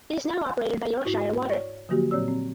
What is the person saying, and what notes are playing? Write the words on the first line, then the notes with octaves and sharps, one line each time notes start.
It is now operated by Yorkshire Water.
G#2 E4 F#4 C#6
C#5 D5 C#6
D3 F3 F#3 A#3 F#4 G4
A#2 F#3 C4 C#5 D5 E6
C4